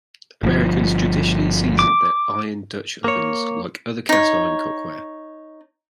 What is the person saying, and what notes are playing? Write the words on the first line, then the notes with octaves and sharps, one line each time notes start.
Americans traditionally season their iron Dutch ovens like other cast-iron cookware.
G1 F3
D6
A#3 C#5
D#4 C#5